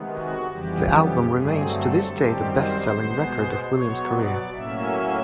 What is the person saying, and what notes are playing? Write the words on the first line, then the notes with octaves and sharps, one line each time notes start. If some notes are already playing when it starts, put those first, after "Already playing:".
The album remains, to this day, the best-selling record of Williams' career.
Already playing: C3 D#3 G#3 B3
F#4
F2 C#3 E3 G3 B3 G4
G4
G2 D3 F#3 A3 C4 G#4
A4
F#2 D#3 G3 C4 G4
C5
B2 G#3 B3
B2 F#3 B3 C#5
D5
A2 F#3 A#3 C#4 E5